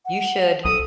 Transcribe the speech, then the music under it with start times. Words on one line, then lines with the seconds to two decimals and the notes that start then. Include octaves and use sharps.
You should
0.05 F#5
0.65 B1 A4 D#6